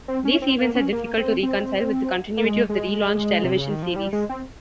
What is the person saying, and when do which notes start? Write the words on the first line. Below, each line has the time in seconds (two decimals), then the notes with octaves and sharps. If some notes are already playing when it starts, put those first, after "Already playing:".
These events are difficult to reconcile with the continuity of the re-launched television series.
0.08 C4
0.25 C#4
0.42 C4
0.58 A#3
0.75 C#4
0.93 A#3
1.17 C4
1.43 C4
2.37 A#3
2.44 G#3
2.69 G#3
3.44 C3
3.57 C#3
3.70 D#3
3.83 F3
3.96 G3
4.13 G#3
4.29 C4